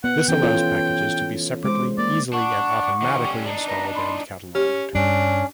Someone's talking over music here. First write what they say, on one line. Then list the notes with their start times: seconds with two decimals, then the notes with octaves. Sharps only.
This allows packages to be separately, easily and automatically installed and catalogued.
0.04 B3 F#5
0.28 E3 C#4 A4 G5
0.43 F4 C#5
1.64 G#3 C5 D6
1.98 A#3 D5
2.33 D4 F#5 C#6 D6
3.02 D#3 F3
3.22 G3 C#4
3.46 D4 D#4
3.66 B4 D#5 A#5
3.95 B5 C6
4.55 C#4 G4
4.95 G2 C#4 D4